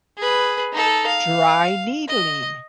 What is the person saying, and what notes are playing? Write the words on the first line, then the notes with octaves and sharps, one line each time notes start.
dry needling?"
G#4 B4
D#4 A4
F5
D#5